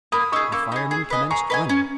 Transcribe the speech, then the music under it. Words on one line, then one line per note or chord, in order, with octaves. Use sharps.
A fireman commenced running.
A#3 B5 D#6
D#4 G#4 C#6 E6
A#3 C#6 E6
D#4 G#4
G#4
B4 D#5 G#5
G#4 A#5 C#6
B4 D#5 G#5
C#4